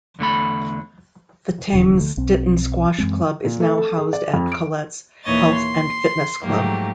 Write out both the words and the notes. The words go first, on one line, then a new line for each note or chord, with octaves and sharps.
The Thames Ditton Squash Club is now housed at Colets' Health and Fitness Club.
E2 D3 A3 B5
E1 D#2 C#3 E3
D2 D3 A3
B1 C4
F#2 E3 G#3 C4
A#2
A3
A4
G#4
D5
F2
D7
D#2 A#2 E3 C#5 D#5 A6
C6
G#2 F3 F#3 A3 A#3 G4